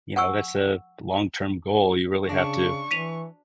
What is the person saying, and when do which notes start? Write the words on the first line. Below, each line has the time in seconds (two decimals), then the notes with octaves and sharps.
you know, that's a long-term goal. You really have to
0.16 F#5 G#5 C#6 E6
2.29 C#3 D4 C#6
2.91 E3 B6 D#7 F7